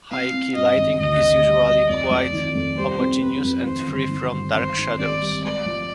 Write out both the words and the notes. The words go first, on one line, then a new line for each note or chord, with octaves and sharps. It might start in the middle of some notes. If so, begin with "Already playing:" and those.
High-key lighting is usually quite homogeneous and free from dark shadows.
C4 F5
C4
G2 D#5
G#1
D2 D#5
D2
G3
G3
F2 D5
F2
D#3
F2
G3 C5
C4
C4 B4
F2
D#3 C5
G1
D#3
G2
G#1 C5
G#2
G#1 D5
G3
G#3 D5
F3